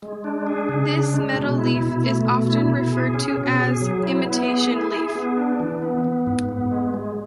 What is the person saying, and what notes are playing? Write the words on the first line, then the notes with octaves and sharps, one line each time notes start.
This metal leaf is often referred to as imitation leaf.
G#3
D4
G#4
C#3
D4
G#3
B2
E4
B2
A3
B2
E4
B2
G#4
C#4
B2
G#4
F#3
E4
B3
G#4
E4
G#4
B3
D4
E3
B3
B3
G#2
B3
G#3
G#3